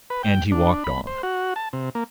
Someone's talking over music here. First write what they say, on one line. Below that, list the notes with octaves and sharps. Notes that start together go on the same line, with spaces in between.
And he walked on.
B4
G5
D4
B5
C5
F#4
A5
C3
A#3